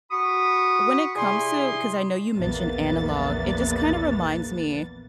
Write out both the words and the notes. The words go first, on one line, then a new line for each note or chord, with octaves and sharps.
when it comes to 'cause I know you mentioned analog, it just kinda reminds me,
F#4 B5 C#6 D#6
C3 E4 G#4 D5 G#5 C6
A#1 E2 A#3 B3 A6